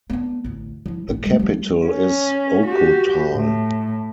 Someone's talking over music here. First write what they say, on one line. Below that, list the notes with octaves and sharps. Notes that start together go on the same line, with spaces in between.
The capital is Ocotal.
B3 D4
A1 D2
F3 E4
A1 E3
G3 A3
F3 G3
C#4
F#4 G4
A2